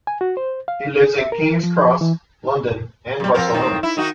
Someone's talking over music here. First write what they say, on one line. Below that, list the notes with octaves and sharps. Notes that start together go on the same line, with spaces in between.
He lives in King's Cross, London and Barcelona.
G#5
F#4
C5
F5
G#4
E5
A#4
F3
E3
F#2 G3
F3 C4 A#4
A2 D#3 C4
E4
D#3 D#4 F#4